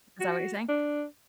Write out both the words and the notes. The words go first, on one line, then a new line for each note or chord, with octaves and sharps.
Is that what you're saying?
F#4
D4